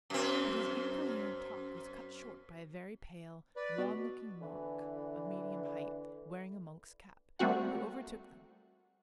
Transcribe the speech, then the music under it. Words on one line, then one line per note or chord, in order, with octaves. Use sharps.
But his incoherent talk was cut short by a very pale, wan-looking monk of medium height, wearing a monk's cap, who overtook them.
F#2 C4
B4 D5
B2
D3 E3
G3 A3 A#3 C4 F#4 F#5